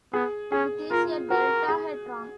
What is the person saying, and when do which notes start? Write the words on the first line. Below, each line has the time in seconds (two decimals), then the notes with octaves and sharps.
It is a deltahedron.
0.13 B3 G#4
0.52 C#4 G#4
0.91 F4 A#4
1.30 F#4 A#4
1.68 G#4